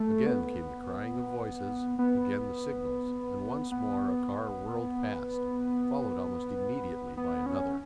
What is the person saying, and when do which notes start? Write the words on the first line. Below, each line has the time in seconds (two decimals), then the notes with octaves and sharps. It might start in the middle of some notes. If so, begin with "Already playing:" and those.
Again came the crying of voices, again the signals, and once more a car whirled past, followed almost immediately by another.
Already playing: A3
0.26 B3
1.99 B3
3.71 B3
7.17 B3
7.46 C#4